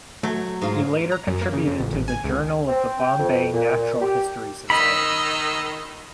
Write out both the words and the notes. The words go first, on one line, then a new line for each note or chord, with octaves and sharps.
He later contributed to the "Journal of the Bombay Natural History Society".
F#3 A3
G#2 F4
A#5
F#2
A#3
C#3
F2
A1
G#1
G#5
C#2
C4
G5
F2
A#2
G4
D#3 D#5 B5 E6